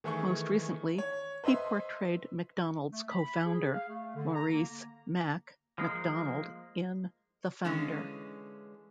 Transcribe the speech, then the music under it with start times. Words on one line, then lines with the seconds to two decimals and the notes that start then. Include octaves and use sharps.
Most recently, he portrayed McDonald's co-founder Maurice "Mac" McDonald in "The Founder".
0.04 D#3 E3 A3 G#4 C#6
0.98 C#5
1.44 B4 C5 D#5 E5 C6
2.92 A3
3.09 B5
3.45 G#4
3.73 F5
3.88 A3
4.15 D3
4.35 A#5
4.52 A#3
5.78 F3 G#3 A#3
7.65 D3 E3 G#3 C#4 D#5 F5